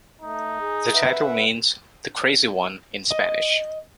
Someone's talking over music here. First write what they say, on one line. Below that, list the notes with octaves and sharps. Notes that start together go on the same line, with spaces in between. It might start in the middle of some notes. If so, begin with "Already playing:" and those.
The title means "The Crazy One" in Spanish.
A3 D#4
G#4
B4 E5 F#5
D#5